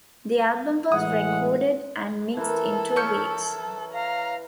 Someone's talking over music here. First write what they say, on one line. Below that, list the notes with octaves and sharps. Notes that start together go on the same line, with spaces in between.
The album was recorded and mixed in two weeks.
A2 E3 G#3 F#5 D#6
E3 A4 A#4
C#4 C#6 G6
F5 A#5